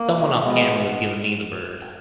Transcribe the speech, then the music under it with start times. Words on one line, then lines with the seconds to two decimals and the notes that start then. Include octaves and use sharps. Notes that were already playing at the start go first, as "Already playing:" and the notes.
someone off camera was giving me the bird,
Already playing: A#3
0.14 C3 F3 A3
0.43 B2 G#3 B3
0.72 B2 G#3